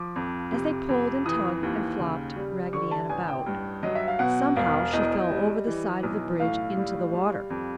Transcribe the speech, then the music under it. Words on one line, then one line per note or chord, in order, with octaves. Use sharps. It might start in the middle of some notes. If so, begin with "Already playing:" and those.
As they pulled and tugged and flopped Raggedy Ann about, somehow she fell over the side of the bridge into the water.
Already playing: F3 D6
F2
C3
F2
E3 D#6
D#2
C#3
G3
D3 C#6
A5
A1 G#5
G5
G2
F#3 D#5
E5
F5
B2 F#5
E1 F5
E2 D#5
G3
E3
B1
A2 F5
G3
G3
F2